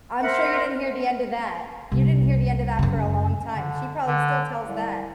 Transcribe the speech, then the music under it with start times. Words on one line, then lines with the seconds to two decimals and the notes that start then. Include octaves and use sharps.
I'm sure you didn't hear the end of that. You didn't hear the end of that for a long time. She probably still tells that.
0.22 A#4 C5 E5 F#5
1.92 C2
2.79 F#2 C#3
3.53 D3
4.05 D3
4.64 C2